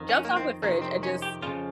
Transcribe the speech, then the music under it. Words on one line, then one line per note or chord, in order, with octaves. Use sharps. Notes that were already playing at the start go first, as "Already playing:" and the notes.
jumps off the fridge and just
Already playing: F2 D#3
C#4
A#3
C4
F2 C3 D#3 A#3
C4
C#4
G4
F2 C#3 F3 F4